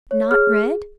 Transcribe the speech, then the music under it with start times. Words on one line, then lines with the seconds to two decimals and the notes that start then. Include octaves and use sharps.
Not red?
0.11 C#5
0.31 G#4 F6